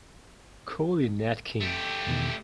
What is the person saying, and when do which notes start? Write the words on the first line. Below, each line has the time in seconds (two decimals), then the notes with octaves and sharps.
Cole, Nat 'King'.
1.60 A3 G4
2.07 E2 B2 D#3